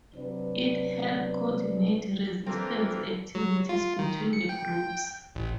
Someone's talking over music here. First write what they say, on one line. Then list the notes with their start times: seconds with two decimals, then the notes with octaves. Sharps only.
It help coordinate resistance activities between the groups.
0.15 C3 F#3 C4 D4 B4 D5
2.46 E3 A#3 C4 D4 F4 A4 A#4
3.35 F#3
3.69 F4
3.99 D#3
4.33 C#7
4.49 G5
5.35 A1